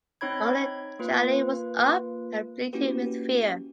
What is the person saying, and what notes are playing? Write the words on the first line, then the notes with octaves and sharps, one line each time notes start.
Only Djali was up, and bleated with fear.
C4 D#4 C#5 B5 G#6
A#3 F4 B4
A#3 C#4 E4 F#4 G4 B4